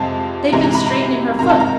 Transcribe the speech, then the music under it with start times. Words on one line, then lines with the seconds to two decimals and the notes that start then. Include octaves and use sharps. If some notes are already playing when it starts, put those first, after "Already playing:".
They've been straightening her foot.
Already playing: F2 C3 F3 G#3 A5
0.52 C3 E3 G#3 A#5
0.64 A#5
0.75 B5
0.86 A#5
1.39 C3 D#3 G#3 A#5
1.49 A5
1.60 A#5